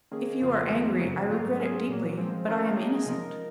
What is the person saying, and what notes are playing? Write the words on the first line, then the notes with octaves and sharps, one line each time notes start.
"If you are angry, I regret it deeply, but I am innocent."
D#3 A#3 C#4 G#4
F2 C#3 F3 A#3 F4
F2 D#3 G#3
F#2 C#3 F#3
G#2 F#3 A#3 F4
F#3 C#4 F4 G#4
A#2 F#3 A#3
F3 G#3 C4
D#3 A#3 C#4 F4 A#4
F#3 A#3 D#4 G#4
C3 F3 G#3 D#4 A#4